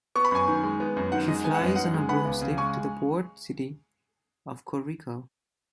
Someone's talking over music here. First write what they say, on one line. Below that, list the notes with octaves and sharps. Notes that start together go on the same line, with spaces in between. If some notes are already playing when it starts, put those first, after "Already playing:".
She flies on her broomstick to the port city of Koriko.
B3 C#6
B5
F#2 G#5 C#6
D#3
G#3
B3
F#2
D#3 F#5
G#3 D#5
B3 G#5
F#5
F#2 D#5
D#3 F#5
G#3
B3 F#5 B5
C#2
C#3
G#3 G#5 C#6